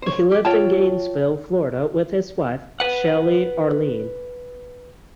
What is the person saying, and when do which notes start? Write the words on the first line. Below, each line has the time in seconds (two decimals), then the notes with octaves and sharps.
He lived in Gainesville, Florida with his wife, Shelley Arlen.
0.02 C5 C#5
0.31 G4
0.45 F4 C#5 G5 A5
2.80 B4 F#5